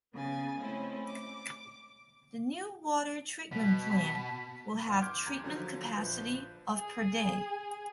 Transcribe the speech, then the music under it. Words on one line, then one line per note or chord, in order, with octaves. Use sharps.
The new water treatment plant will have treatment capacity of per day.
C#3 B3 G#5 A6
G#3 A3 C4 C#4 E4
D6
B2 B6
G1 E3 F#5 F6
C6 D6 F6 G6 G#6 D7
D#2 A#5 G#6
D3 F3 F#3
A#1 F3 B4 G6
G#4